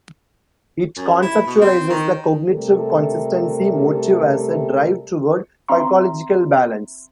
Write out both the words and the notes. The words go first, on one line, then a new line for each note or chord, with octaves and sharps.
It conceptualizes the cognitive consistency motive as a drive toward psychological balance.
F#2
E4
B2
C4
D#3
C3 G3 A3 A4 A#4
C4 E5 A#5 C6